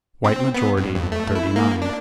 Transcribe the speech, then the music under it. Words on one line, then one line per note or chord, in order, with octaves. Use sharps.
White majority, thirty-nine.
C4
B3
G2
F2
A3
E4
A#3
D4